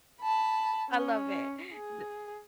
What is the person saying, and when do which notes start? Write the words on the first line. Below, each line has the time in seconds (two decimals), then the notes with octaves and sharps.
I love it. Do d
0.22 A5 B5
0.89 C#4
1.75 G#4